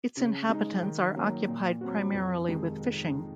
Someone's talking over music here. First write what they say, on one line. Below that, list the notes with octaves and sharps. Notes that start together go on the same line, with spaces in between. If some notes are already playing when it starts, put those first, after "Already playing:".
Its inhabitants are occupied primarily with fishing.
C#3
G#3 D#4
D#3
F#3 A#3
A#2
F#3 C4 F#4
F2
C3 D#3 G#3 D#4